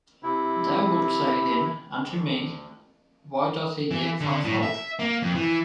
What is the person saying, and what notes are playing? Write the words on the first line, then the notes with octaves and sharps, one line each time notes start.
Thou wilt say then unto me, Why doth He yet find fault?
C3 E4
D2
E3
D3
A2
E5
A#3
F2
E3